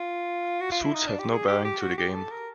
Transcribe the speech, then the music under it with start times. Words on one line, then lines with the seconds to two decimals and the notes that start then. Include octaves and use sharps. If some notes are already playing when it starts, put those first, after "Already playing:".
Suits have no bearing to the game.
Already playing: F4
0.61 F#4
0.72 F4
0.83 E4
0.94 D#4
1.07 D4
1.19 G4
1.32 G#4
1.48 G4
1.65 G4
1.82 F#4
1.98 G4
2.14 A4
2.31 A#4